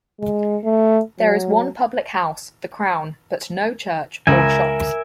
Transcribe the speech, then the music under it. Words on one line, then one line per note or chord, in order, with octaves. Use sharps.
There is one public house, the Crown, but no church or shops.
G#3
A3
F#3
C#2 A#4 E5 G#5